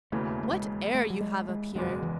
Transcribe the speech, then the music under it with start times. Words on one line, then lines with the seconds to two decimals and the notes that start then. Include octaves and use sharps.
What air you have up here!
0.12 E1 D#2 C#3 E3 A3
0.43 A3
0.53 G#3
0.95 A3
1.10 F#3
1.21 G#3
1.49 G#3
1.75 F#1 E2 B2 F#3 G#3
2.03 E3